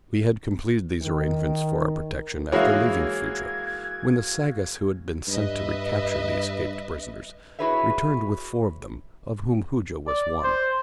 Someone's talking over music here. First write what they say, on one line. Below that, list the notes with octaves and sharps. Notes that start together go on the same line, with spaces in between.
We had completed these arrangements for our protection after leaving Phutra when the Sagoths who had been sent to recapture the escaped prisoners returned with four of them, of whom Hooja was one.
D#3
E3 G#3 A#3 F#4 C#5 E5 F5 G#6
G2 B4 D#5 E5
E4 F#4 G#4 B4 C#5 E5
D5
C5